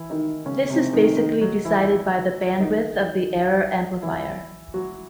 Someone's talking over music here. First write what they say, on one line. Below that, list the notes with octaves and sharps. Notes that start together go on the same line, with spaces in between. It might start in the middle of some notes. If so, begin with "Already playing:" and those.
This is basically decided by the bandwidth of the error amplifier.
Already playing: E3 E4
D#3 D#4
C#3 C#4
C3 C4
D#3 D#4
D#3 D#4
F#3 F#4
E3 E4
D#3 D#4
E3 E4
F#3 F#4